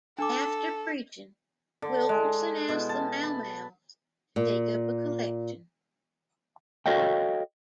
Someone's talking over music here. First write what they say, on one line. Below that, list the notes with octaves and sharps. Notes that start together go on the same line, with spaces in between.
After preaching, Wilkerson asked the Mau Maus to take up a collection.
D4 A4 D6
D3
G#3
B2
A5
B5
A#2
F#4 A4 C#5 D#5 F5 G5